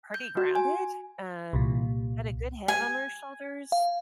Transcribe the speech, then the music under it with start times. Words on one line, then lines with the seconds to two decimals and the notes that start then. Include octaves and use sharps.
pretty grounded, um, had a good head on her shoulders.
0.14 G6
0.37 F#4
0.55 G#5
1.53 C2 A#2
2.68 G#5
3.72 F5